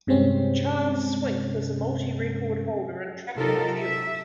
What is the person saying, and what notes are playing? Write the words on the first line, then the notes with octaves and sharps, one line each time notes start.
Charles Swink was a multi-record holder in track and field.
G2 C3 G#3 C4 C#4
C3 F#3 D#4 F4 A4 A#4
E5